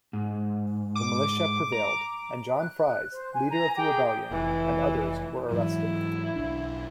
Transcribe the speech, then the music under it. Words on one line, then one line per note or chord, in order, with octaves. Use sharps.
The militia prevailed, and John Fries, leader of the rebellion, and others were arrested.
G#2
D6
A#5
F#6
C5
G#5
A#5
G#4 G5 G#5 D6
F1 E3
G#2 E3 F#3 E4
B1 D4